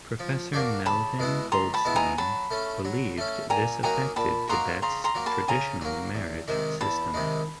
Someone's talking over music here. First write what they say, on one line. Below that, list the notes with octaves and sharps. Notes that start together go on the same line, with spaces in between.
Professor Melvyn Goldstein believed this affected Tibet's traditional marriage system.
F3
A#3 D4 F#4
C#2 A5 B5
B2 G#3 B3 E4
C#2 A#5 C6
A5 B5
B2 G#3 B3 E4
G#5 A#5
F#3 A5 B5
A3 C#4
F#3
A3 C#4
A#2 G#5 A#5
F#3 A#3 D#4 F#4 G#5 A#5
A#2 A5 B5
F#3 A#3 D#4 F#4 A#5 C6
C#3 A#5 C6
A#5 C6
F#3 A#3
A5 B5
C#3 G#5 A#5
F#3 A#3
E2
C3 D#3 G#3
E2 A5 B5
C3 D#3 G#3